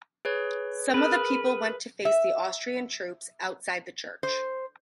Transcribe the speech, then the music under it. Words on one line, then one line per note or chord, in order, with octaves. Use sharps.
Some of the people went to face the Austrian troops outside the church.
G#4 B4 C#5
G#4 A#4 B4
E5
C5